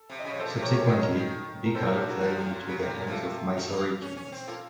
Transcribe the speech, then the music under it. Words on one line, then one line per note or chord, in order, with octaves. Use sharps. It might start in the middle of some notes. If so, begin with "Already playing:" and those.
Subsequently, Bekal fell into the hands of Mysore kings.
Already playing: A4
C3
D#5
C#3
C3 C#5
A4 C5
A#2
C3
A#4 C#5
A#4 C#5
D#3 C#5
D#5
A#4 C#5
C#3
D#3
A#4
C#3 A4 C5
F#4 A#4
C3
C#3 F#4 A#4
F3 F#4 A#4
A2
A#2
C#3
C3
A#2
A#4
C3 F4 A4
D#3
A#3
C#4
C#4
C4
A#3 F4 A4